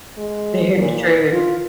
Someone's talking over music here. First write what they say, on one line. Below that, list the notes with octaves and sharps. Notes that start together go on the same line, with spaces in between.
Very true.
G#3
A#2
F4